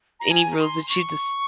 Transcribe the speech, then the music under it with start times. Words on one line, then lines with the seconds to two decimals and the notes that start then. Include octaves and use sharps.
any rules that you just
0.19 A#5
0.30 G#5
0.51 A#5
0.60 C6
0.89 C#6